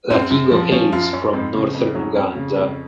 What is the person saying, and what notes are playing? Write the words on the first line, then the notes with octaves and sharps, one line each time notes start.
Latigo hails from Northern Uganda.
F#2 C4
F#2
F3
F3 C#4
F#2 F4
F#2 C#4
F2 C4
C#3
F2
F#3 C#4
F2
C#3
F2